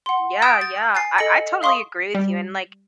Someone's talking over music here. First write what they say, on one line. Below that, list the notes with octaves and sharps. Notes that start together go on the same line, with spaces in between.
Yeah, yeah, I I totally agree with you, and, like,
F#5 C6
D#6 E6 G6 A#6 D7 E7
A6
G#5 A6 C7
A4 D#5 A#6 C#7
E5 F5 C6 C#6 D#6
G3